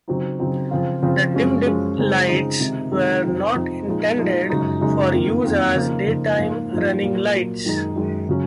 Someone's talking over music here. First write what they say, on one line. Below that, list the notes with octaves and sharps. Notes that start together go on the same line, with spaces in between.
The dim-dip lights were not intended for use as daytime running lights.
C#3 F#3 C4 D#4
C#3 F#3 C4 D#4
C#3 F3 C4 F4
C#3 F3 C4 F4
F#2 F3 G#3 C#4
F#2 F3 G#3 C#4
C#3 G#3 C4 D#4
C#3 G#3 C4 D#4
C3 D#3 G#3 D#4
C3 D#3 G#3 D#4
F2 C3 F3 C4 D#4
F2 C3 F3 C4 D#4
A#2 F3 G#3 D#4
A#2 F3 G#3 D#4
F#2 C#3 G#3 D#4
F#2 C#3 G#3 D#4
F2 D#3 A#3 F4
F2 D#3 A#3 F4
C#3 F3 A#3 D#4
C#3 F3 A#3 D#4
G#2 F3 A#3 F4
G#2 F3 A#3 F4
A#2 F#3 A#3 F4
A#2 F#3 A#3 F4
F#2 D#3 G#3 D#4
F#2 D#3 G#3 D#4
C#3 F#3 C#4